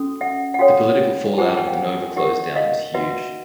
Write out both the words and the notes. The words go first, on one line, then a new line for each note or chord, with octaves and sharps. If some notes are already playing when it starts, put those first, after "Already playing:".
The political fallout of the Nova closedown was huge.
Already playing: C#4 F#4 A4
E5 F#5
F#5
F#4 A4 C#5 F5 G5
A5
F4 G#4 C5 F#5 G#5
G5 A5
F#5 G#5
F5 G5
F#5 G#5
D#4 G4 A#4 E5 F#5
D#5 F5
F#4 B4 E5 F#5